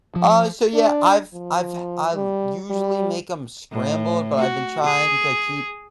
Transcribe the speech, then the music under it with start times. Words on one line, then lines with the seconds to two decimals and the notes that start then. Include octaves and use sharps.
Uh, so yeah, I've I've I've usually make them scrambled, but I've been trying to keep,
0.16 F3
0.74 D4
1.34 F3
2.14 G3
2.70 G3
3.71 A2
4.38 F#4
4.84 G#4